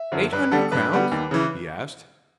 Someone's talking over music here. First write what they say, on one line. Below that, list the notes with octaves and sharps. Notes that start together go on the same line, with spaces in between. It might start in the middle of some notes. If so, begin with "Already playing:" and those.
"Eight hundred crowns?" he asked.
Already playing: E5
F#2 D3 F3
G2 B4
D3 G3 B3 A4
G2 B4
D3 G3 B3
D#2
C#3 E3